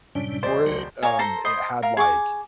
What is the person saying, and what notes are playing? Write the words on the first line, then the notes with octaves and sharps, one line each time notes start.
for it, um, it had, like
F#2 A2 C3 G3 C#4 D4
E1 C5 D5 D#5 C6
C#2 F#3 F#4 G5
A#4 C#5 F5 G#5
A4 C5 A#5 C6
C5 D#5 B5 C6
A#4 F5
G#4 C#6 D6